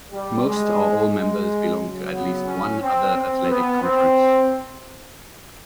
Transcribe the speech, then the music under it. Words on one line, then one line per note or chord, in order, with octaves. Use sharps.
Most or all members belong to at least one other athletic conference.
G3
G#3
G#3
C#3 F#3
B3
C#4
C4
C4
B3
C4